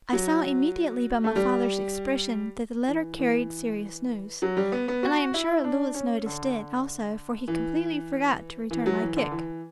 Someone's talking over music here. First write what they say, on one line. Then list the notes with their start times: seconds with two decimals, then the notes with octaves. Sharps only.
I saw immediately by my father's expression that the letter carried serious news, and I am sure Louis noticed it also for he completely forgot to return my kick.
0.13 F#3
1.24 A3
1.36 G3
2.88 E3
3.19 E3
4.42 F#3
4.57 G3
4.72 B3
4.88 B3
5.03 F#4
5.34 E4
5.64 D4
5.94 C#4
6.26 D3
7.48 E3
8.71 E3
8.86 F#3
9.02 E3
9.17 D3
9.31 E3